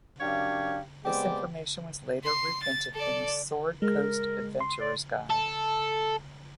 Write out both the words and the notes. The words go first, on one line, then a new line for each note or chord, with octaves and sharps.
This information was later reprinted in the "Sword Coast Adventurer's Guide".
F#2 D4 G4 C#5 F5
G#3 B3 C4 G4 D5 G5
C6
A6
A4 D5
G#3 A#4
C6
D5
A4